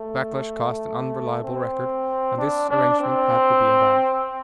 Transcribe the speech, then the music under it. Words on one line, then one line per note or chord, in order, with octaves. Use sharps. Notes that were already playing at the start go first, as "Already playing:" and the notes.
Backlash caused an unreliable record, and this arrangement had to be abandoned.
Already playing: A3
C4
D4
D4
C4